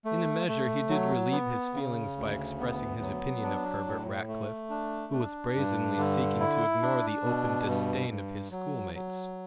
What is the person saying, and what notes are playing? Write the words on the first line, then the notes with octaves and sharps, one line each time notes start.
In a measure he did relieve his feelings by expressing his opinion of Herbert Rackliff, who was brazenly seeking to ignore the open disdain of his schoolmates.
A3
A3
F#3
B3
C#3
D2
B3
F#3
D4
A2
A3
D4
D4
G2
D3
E4
D4
B2
G2
G2
F#3
F#3